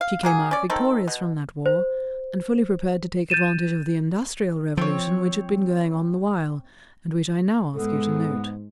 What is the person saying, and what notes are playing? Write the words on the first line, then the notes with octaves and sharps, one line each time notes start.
She came out victorious from that war, and fully prepared to take advantage of the industrial revolution which had been going on the while, and which I now ask you to note.
F5
F#3 A#3 G#4
C#4 D5
D#3 C4 A4
B2
C5
G6 A6 D#7 E7
F3 C4 C#5
G#2 G#3 B3 A4